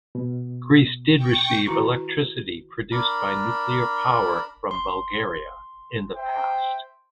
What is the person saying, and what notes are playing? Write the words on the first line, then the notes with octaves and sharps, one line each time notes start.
Greece did receive electricity produced by nuclear power from Bulgaria in the past.
B2
G5 C#6
D#3 E4 F#4 A#5 C#6
D4 A#4 B5
C6
C5 E5 G5